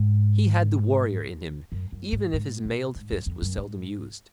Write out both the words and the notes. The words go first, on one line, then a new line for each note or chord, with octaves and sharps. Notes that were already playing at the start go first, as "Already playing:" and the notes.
He had the warrior in him, even if his mailed fist was seldom used.
Already playing: G#2
F#2
F#2
G#2
G#2
A#2
G#2
F#2
F2
F#2
G#2